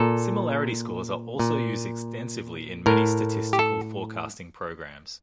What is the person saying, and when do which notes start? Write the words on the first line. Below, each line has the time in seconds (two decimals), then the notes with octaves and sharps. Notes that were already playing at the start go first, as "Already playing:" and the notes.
Similarity scores are also used extensively in many statistical forecasting programs.
Already playing: A#2 A4
1.39 A#2
2.86 A2 A#4
3.53 G4
3.59 A4